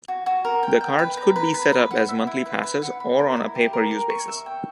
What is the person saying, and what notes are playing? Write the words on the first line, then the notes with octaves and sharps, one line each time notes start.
The cards could be set up as monthly passes or on a pay-per-use basis.
F#4
F#4
A#4
G5
G5
B4
A#5
B4
B4
B4
F#5
E5
E4
B4
B4
F#5
B5
A#4
E4
G4
A#4
A#4
C#6
E5
G5